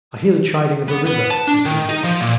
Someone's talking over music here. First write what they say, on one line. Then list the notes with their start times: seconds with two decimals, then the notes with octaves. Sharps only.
"I hear the chiding of a river," returned Dick.
0.88 B3
1.06 B3
1.31 A5
1.47 D4
1.65 D#3
1.89 D#4
2.04 F3
2.21 A#2